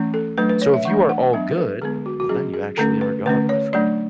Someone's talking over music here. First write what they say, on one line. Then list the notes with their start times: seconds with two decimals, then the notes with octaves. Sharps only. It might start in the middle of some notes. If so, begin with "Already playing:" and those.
So, if you are all good, well then you actually are God, my friend.
Already playing: E3 A3 C#4
0.14 A4
0.38 F#3 A3 D4 B4
0.49 B4
0.62 C#5
0.74 E5
0.85 E3 A3 D4 F#5
1.09 F#5
1.33 F#3 B3 D4 E5
1.51 B4
1.58 A4
1.82 D3 G#3 B3 G#4
2.06 F#4
2.20 F#4
2.29 F#3 C#4 G#4
2.54 G#4
2.77 D3 A3 C#4 A4
3.01 B4
3.26 D3 A3 C#4 B4
3.49 C#5
3.73 F#3 A3 D4 D5